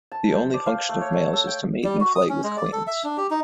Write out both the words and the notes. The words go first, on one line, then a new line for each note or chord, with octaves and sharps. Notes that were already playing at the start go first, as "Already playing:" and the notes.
The only function of males is to mate in flight with queens.
A5
C5
D5
F5
A3
C#5
C#5
A4
G5
G3
F#4
D#6
C#4
G#3
D5
A4
E5
D4
G4
D#4